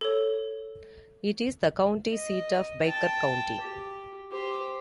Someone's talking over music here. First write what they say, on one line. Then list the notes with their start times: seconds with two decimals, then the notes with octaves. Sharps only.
It is the county seat of Baker County.
0.01 A4 C#5
2.13 D#5
2.84 G5 A5
3.61 G4
4.32 G4 C5